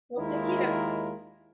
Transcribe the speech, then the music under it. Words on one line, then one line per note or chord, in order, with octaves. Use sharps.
Well, thank you,
D#2 D#3 G#3 E4 F4 A#4